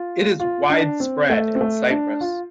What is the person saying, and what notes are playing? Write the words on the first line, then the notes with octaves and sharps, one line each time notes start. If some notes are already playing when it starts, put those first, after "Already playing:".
It is widespread in Cyprus.
Already playing: F4
F4
D4
C4
A3
C4
A3
D4
F4